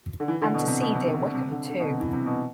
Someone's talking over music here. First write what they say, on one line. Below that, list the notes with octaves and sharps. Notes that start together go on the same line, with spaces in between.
And to see dear Wickham too!
D3
E3
D3
B2
C3
B2
C3
D3
D3
C3
D3
D3
B2
C3
E3
C3
B2